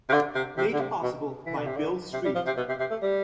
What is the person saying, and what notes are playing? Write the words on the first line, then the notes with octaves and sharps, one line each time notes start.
Made possible by Bill Street.
C3
D3
C3
C3
D3
C3
B2
E3
D3
C3
D3
C3
G3
F3
C3
B2
C3
C3
A3
G3